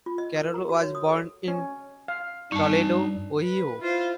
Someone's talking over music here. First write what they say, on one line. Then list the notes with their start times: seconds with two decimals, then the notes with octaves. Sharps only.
Carroll was born in Toledo, Ohio.
0.06 F4
0.18 D#5
0.36 A#4
0.54 A#5
0.69 F#4
0.81 C#5
0.95 D#6
1.08 A4
1.48 C#4
2.08 F5
2.52 G2 G3 D#4 A5 C#6
3.42 B4
3.81 E4 F4 C5 F5